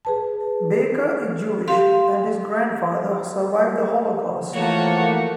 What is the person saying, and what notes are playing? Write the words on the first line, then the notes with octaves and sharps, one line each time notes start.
Baker is Jewish, and his grandfather survived the Holocaust.
G#4 B4 A5
G4 F5 C6
E3 F3 A3 A#3 F#4 C#5